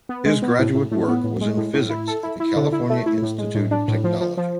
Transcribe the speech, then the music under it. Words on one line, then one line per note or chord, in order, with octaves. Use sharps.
His graduate work was in physics at the California Institute of Technology.
B3
G#3
B3
A2
A2
A2
B3
A2
G#3
A2
A2
E4
A4
E4
E4
D3
E4
A3
E4
A2
G#3
A2
D4
A2
F3
F3
F3